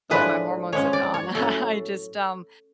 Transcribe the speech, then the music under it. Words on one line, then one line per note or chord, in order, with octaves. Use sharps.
the way my hormones have gone, I I just, um,
A2 F3 G#3 D4 B4
F3 G#3 C#4 C#5
D5
C#5
A2 F#3 C#4 A4